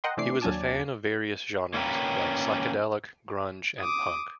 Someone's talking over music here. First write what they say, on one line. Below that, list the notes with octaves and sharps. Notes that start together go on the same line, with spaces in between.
He was a fan of various genres, like psychedelic, grunge, and punk.
A#4 D#5 F#5 G5 C6
C3 E3 A3 D4 D6 C7
D#2 F#3 D4 G#5 A5 D6
A#3 C#4 F4 A#4 B4 G5
D6 D#6